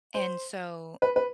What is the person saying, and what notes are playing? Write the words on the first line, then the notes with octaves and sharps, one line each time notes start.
And, so,
C5
B4
B4